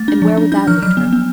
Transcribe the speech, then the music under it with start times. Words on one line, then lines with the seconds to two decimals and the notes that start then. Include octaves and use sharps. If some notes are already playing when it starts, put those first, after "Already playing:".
And where would that lead her?
Already playing: A3 A6
0.08 D4
0.22 F3
0.37 D4
0.52 D4 G6
0.67 F3 F6
0.82 F#3 F6
0.97 B3
1.13 B3